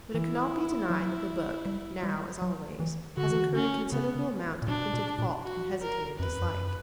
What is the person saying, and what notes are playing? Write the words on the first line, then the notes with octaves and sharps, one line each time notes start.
But it cannot be denied that the book, now as always, has incurred a considerable amount of hinted fault and hesitated dislike.
E3 E4
F#3
G3
G3
F#3
E3
D3 F#4
E3
D3
C#4
C#3 B3
A#2
B2 D4
B2
A#2
F#4
A#4
F#2 B4
E2
F#2